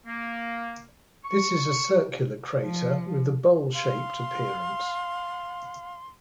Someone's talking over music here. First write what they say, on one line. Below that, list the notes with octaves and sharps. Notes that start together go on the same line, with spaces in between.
This is a circular crater with a bowl-shaped appearance.
A#3
C#6
F3
F5 C6